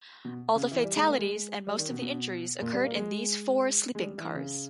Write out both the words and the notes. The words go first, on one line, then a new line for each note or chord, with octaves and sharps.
All the fatalities and most of the injuries occurred in these four sleeping cars.
B2
C#3
E3
G3
G#3
A#3
G#3
G3
D#3
B2
B2
A#2
G3
A#3
G#3
G#3
G3
E3
C#3